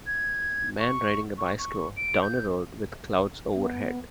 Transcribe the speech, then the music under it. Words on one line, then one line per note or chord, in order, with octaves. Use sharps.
Man riding a bicycle down a road with clouds overhead.
G#6
C#6
C#6
C#6
D7
G6
B3